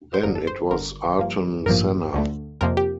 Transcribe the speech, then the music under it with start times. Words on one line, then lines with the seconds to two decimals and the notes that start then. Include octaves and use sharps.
Then it was Ayrton Senna.
0.14 C5
0.23 G1 F2 D3 A#4
0.35 A4
0.47 C5
0.71 G1 G2 D3 A#4
1.19 G2 F3 A#3
1.66 A1 G2 F3 A#3 A#4
2.13 D2 D3 A3
2.61 F2 C3 F3 A#3 A#4
2.77 G4